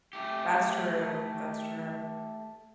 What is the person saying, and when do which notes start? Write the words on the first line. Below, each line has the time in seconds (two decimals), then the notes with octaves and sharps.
That's true, that's true.
0.13 A3 G4